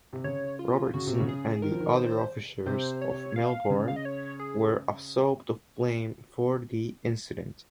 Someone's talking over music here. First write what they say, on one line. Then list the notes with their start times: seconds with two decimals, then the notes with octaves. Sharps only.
Robertson and the other officers of "Melbourne" were absolved of blame for the incident.
0.13 C3
0.24 C#3 C#5
0.59 F4
0.94 C#3 F#4
1.07 C3
1.20 C#3
1.29 G#4
1.62 D#3 A#4
1.71 F3
1.80 D#3
1.97 C5
2.66 C3 C5
3.02 C#5
3.36 F5
3.70 C#3
3.88 F5
3.96 D#5
4.05 C#5
4.40 G#4